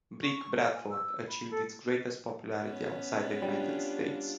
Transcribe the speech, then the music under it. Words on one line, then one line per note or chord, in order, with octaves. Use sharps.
"Brick Bradford" achieved its greatest popularity outside the United States.
C#6
A#4
G#5
E6
B5
A4
B3 C#4
G3 D4 F4